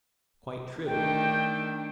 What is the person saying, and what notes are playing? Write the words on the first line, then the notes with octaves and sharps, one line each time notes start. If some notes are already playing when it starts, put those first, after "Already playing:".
Quite true.
D#3 A3 D4 G5